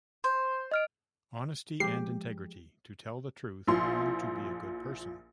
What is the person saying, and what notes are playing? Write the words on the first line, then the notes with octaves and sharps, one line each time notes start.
Honesty and Integrity: To tell the truth and be a good person.
C5
D#5 F6 D7
F3 G#3 G4 C7
A#1 F3 E4 C6